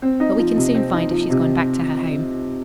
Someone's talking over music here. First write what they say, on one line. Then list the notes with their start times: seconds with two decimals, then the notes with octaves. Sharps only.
But we can soon find if she's gone back to her home.
0.02 C4
0.20 D#4
0.39 F3
0.57 C3
0.74 C4
0.93 D#4
1.11 F3
1.30 C3